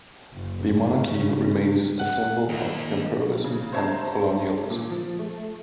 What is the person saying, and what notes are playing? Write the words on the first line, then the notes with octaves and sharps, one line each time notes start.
The monarchy remains a symbol of imperialism and colonialism.
F#1
C#3
F#5
D#2
C#3
C5 C#5 E5 A5 A#5
A#2
F3
A3